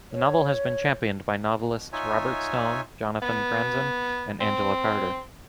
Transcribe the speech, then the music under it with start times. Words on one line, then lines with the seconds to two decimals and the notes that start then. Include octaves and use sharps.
The novel has been championed by novelists Robert Stone, Jonathan Franzen and Angela Carter.
0.12 C#5
1.57 B2
1.93 D#4 F4 C#5 E5 G#5
3.22 B3
4.40 C4